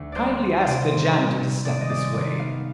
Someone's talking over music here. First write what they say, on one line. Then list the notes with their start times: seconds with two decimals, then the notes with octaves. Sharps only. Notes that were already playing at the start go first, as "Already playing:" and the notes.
"Kindly ask the janitor to step this way."
Already playing: D2
0.12 G3 C5 D5
0.41 C4
0.61 C3 C5 D5
0.91 D#3
1.16 G3
1.40 C4
1.64 G#3 D5
1.81 D#5
1.89 C4 D5
2.14 D#3 D5
2.39 B3 F5